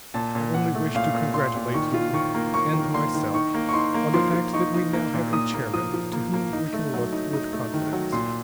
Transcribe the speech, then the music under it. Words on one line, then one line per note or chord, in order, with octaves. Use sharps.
I only wish to congratulate you, and myself, on the fact that we now have a chairman to whom we can look with confidence.
A#2 A5
A#2
A#2 F#5
A3
A#2 F5
A#2
A#2 C6
A#2
D#3 C#6
F4
D#3 C#6
A#3
A#3 C#6
D#3
A#3 C6
D#3
D#4 C#6
A#3
C#6
D#4 C6
A#3
F3 C6
F3
D#4 C#6
D#4
A#3
A#2
A#3 D#6
A#3
F3 D#6
F3
A#3
A#3
D#4
A3
F#3
D#4
D#4
A3
D#3
F#3
A#2 C6